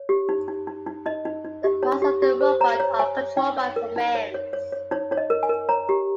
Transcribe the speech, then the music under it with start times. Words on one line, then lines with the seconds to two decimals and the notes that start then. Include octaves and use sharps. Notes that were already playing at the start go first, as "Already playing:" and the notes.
The parts of the robot are controlled by commands.
Already playing: C#5
0.09 G4
0.29 D#4
0.48 D#4
0.67 D#4
0.87 D#4
1.06 D#4 D#5
1.25 D#4
1.45 D#4
1.64 G4
1.83 D#4 C#5
2.02 G4
2.22 G4
2.41 C5
2.60 C#5 A#5
2.80 C#5
2.99 C#5 G#5
3.18 C#5
3.37 D#4 G5
3.57 C#5
3.76 A#4
3.96 D#4
4.15 C#5
4.34 C#5
4.53 C#5
4.72 C#5
4.91 D#4 C#5
5.11 D#4 C#5
5.17 D#5
5.30 A#4
5.43 G#5
5.49 A#4
5.69 C#5 A#5
5.89 G4